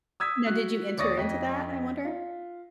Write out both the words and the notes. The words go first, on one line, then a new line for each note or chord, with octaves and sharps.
Now did you enter into that, I wonder?
D#6 E6 G#6 B6
F#4 F#6
D#2 C#5 D5 C#6 D#6 A#6
F2 D#5 B6
F4